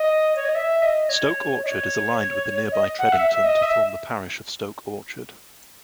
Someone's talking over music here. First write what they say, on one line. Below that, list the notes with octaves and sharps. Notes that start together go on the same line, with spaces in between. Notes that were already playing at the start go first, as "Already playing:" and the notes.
Stoke Orchard is aligned with nearby Tredington to form the Parish of Stoke Orchard.
Already playing: D#5
C#5
D#5
E5
D#5
C#5
D#5
C#5
D#5
F#5
E5
E5
D#5
E5